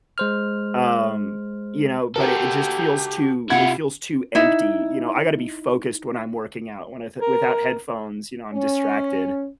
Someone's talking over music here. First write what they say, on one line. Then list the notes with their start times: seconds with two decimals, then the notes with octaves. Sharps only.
um, you know, but it it just feels too it feels too empty, you know? I gotta be focused when I'm working out. When I th without headphones, you know, I'm distracted.
0.18 G#3 C5 F6
2.16 F#4 G4 A4 A#4
3.50 C3 E4 F4 F#5 G#6
4.35 D#4 E4
7.22 A#4
8.53 C#4